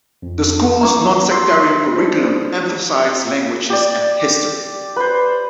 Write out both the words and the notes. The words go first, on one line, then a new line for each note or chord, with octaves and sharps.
The school's nonsectarian curriculum emphasized languages and history.
F2
A#3 C#4 E4 A#5 C#6 D6
G4 C6 E6 C7
D4 E4 C5
G4 D5
B4 C5